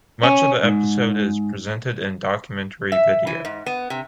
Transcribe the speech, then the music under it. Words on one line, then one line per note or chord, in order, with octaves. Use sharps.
Much of the episode is presented in documentary video.
C#4
G#2
E5
E3
G#2
B3
C3